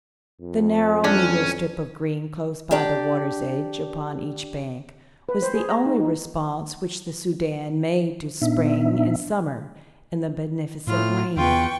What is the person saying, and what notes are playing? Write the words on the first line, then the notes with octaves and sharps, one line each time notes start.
The narrow meagre strip of green close by the water's edge upon each bank was the only response which the Soudan made to Spring and Summer and the beneficent rain.
F2
C#4 D4
D4 G4 D5 G5
B4
C5
G#4
A#5
D#4
D#4
A#2 B3 D4 D#4 E5
A2 F4 F6
E2 F4 B4 G5 C#6